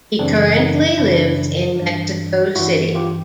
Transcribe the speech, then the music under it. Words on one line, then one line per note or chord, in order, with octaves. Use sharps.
He currently lives in Mexico City.
F#2 C#3 E3 C4 D4
C#4 D#4
F#2 C#3 E3 D4 E4
G2 E3
G2 E3 E4 F#4
F4 G4